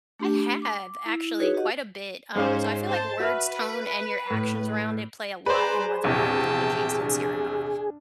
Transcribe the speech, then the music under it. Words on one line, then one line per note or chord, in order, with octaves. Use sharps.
I have, actually quite a bit, um, so I feel like words, tone, and your actions around it play a lot in whether an apology is sincere or not.
A3 D4 G4
D6
E4
D#4 F#4 G#4 B4 C#5
F#4 G4 D#5 F#5
G#2 C#4 C5 F5
C5 A5
F#4 B4 E5 F6
A2
G#4 B4 C5 D5 A#5
A#1 E2 C3 G5 A5
D4